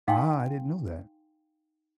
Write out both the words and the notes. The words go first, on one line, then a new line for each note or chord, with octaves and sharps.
Ah, I didn't know that.
D#4 F5 G5 G#5 C6